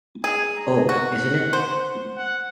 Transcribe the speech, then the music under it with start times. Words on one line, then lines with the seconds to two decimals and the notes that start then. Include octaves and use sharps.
Oh, isn't it!
0.24 G#4 G#5
0.56 A#5
0.88 F#4 F#5
1.53 C5
2.18 F#5